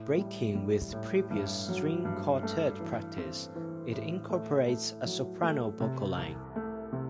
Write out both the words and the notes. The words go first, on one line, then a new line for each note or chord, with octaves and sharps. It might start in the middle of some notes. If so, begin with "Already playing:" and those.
Breaking with previous string-quartet practice, it incorporates a soprano vocal line.
Already playing: A2
G3
G3
A2
G2
F#3
G2
A3
E3
C4
E3
A2
A3
A3
F#3
A3
C3
C2
A3
C3